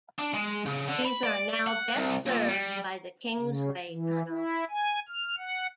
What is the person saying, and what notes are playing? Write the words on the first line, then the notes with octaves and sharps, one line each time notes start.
These are now best served by the Kingsway tunnel.
D4
G#3
C#3
D3
B5
D5
F#5
C2
A#2
G3
C#3
E3
E4
G#5
F6
F#5